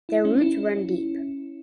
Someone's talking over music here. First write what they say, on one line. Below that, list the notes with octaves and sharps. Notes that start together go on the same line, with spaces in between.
Their roots run deep.
E4
C#4
E4